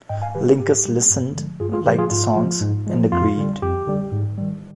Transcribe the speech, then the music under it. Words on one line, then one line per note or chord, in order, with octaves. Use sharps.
Linkous listened, liked the songs, and agreed.
G#2 D#5 G5
F5 G#5
D#3 G3 G4 B4
G4
G#2 G4
D#3 G3
G2
D3 F3 G#3
G2 F4 G#4
F4 G#4
D3 F3 G#3 G4 B4
F4 G#4
G#2 F4
F3 G#3
G#2
F3 G#3
F2 F4
D3 G3
F2 G4
D3 G3
G#2
D#3 G3